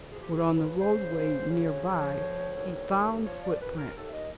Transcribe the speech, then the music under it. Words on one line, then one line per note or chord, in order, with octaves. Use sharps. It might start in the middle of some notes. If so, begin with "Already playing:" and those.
But on the roadway near by he found footprints.
Already playing: D2
F3 G#4
G4
G#4
C#3 B4
C#3 C5
D2 C5
C#3 C#5
F3
D2
D#2
D#2
F3 C#5
D5
D#2 B4
A#4
D#2 A4
E5
D#5